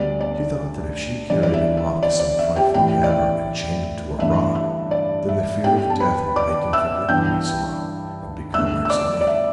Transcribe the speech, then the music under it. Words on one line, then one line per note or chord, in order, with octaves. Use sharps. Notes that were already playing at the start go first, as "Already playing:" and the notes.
She thought that if she carried him off to some frightful cavern and chained him to a rock, then the fear of death would make him forget Bellissima and become her slave.
Already playing: D2 D3 G3 B3 D5
D5
E2 E3 G3 D4 D5
D5
E5
E5
D5
D5
E5
G4 G5
A2 E3 A3 G4 G5
D5
E5
G2 E3 A3 D4 E5
E5
D5
E5
B2 B3 D4 G4 G5
A5
B4 B5
D5 D6
E5 E6
G2 E3 B3 D4 G5 G6
G2 D3 A3 E5 E6
E6
D5 D6
D5
E5